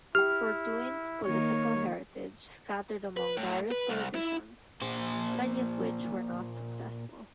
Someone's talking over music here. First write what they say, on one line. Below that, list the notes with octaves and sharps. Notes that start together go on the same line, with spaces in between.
Fortuyn's political heritage scattered among various politicians, many of which were not successful.
E4 G4 G5 F6
D#3 A#3 C#5
B4
A2
B4
C2
E4
A#2 C5